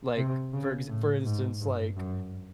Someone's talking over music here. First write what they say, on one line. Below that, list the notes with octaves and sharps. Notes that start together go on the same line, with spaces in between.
like, for ex for instance, like,
C3
C#3
A2
G#2
G2
F#2